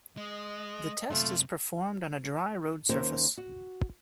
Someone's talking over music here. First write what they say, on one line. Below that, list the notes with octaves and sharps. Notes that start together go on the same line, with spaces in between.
The test is performed on a dry road surface.
G#3 D#5
F#2 C3 A3 F4
D#2 D#3 C#4 A#4 C5
F#4